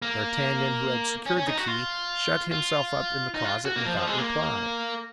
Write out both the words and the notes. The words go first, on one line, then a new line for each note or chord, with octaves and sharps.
D'Artagnan, who had secured the key, shut himself up in the closet without reply.
A#3
C#4
C#4
D#4
F#4
F4
F4
D#4
F4
F#4
A#3
F3
F3
G#3
A#3